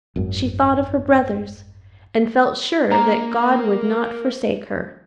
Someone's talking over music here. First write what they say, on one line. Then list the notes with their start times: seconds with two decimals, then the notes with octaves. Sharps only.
She thought of her brothers, and felt sure that God would not forsake her.
0.16 G#1 F#2
2.91 A#3 D4 A#5